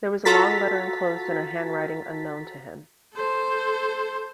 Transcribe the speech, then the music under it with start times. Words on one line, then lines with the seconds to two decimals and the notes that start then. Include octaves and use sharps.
There was a long letter enclosed in a handwriting unknown to him.
0.25 F4 F#4 A4 A#5 A6 B6
3.14 A4 C5